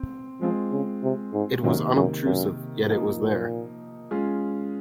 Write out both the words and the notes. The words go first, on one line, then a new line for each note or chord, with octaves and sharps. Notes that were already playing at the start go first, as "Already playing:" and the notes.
It was unobtrusive, yet it was there.
Already playing: C4
F3 G#3 C4 F4 G#4
C#3
C3
G#2
F#2 C3 D#3 A#3
F#2
F#2
G#2 F3 A#3 D#4
A#2
G#3 C#4 F4 G#4